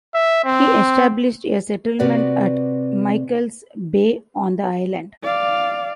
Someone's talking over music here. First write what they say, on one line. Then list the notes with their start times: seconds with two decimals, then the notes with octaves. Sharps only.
He established a settlement at Michael's Bay on the island.
0.14 E5
0.45 C4
1.99 C3 F#4 B4 D5 F#5
5.23 D5 F5